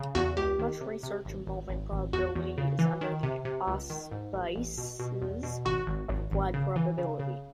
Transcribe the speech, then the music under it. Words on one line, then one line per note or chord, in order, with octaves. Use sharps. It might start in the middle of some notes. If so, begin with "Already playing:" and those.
Much research involving probability is done under the auspices of applied probability.
Already playing: C#3
E2 F#4
C#2 G4
D#3
C3
C3
G#1
G#1
G#1
G#1
E2 F#4
E2
C#3
E3
D#3
C3
C3
C#2
D#3
G#2
A1
A1
B2
B2
E2
B2
G#1 F#4
G#1
G#1
G#1
C#3
E3
C#3
C#3